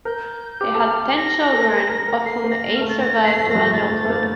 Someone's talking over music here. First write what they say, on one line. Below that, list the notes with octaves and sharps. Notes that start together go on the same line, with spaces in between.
They had ten children, of whom eight survived to adulthood.
A#4 G6
G4
A4 F6
G4
A#6
A4
A#4
A#4
A#4
A4 C7
A#3
A#6
F6
A3
A6
A#3 A#6
A3
C7
A3
F3 A#6
G3
A3 A6
A3
A3
A#3